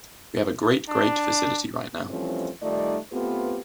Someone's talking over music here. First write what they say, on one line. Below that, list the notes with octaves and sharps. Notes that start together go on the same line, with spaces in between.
We have a great, great facility right now.
D4
E3 F3 G3 A3 C4 C#4
D#3 G3 A3 D#4 F4 D5
A3 B3 C4 F4 G4 B4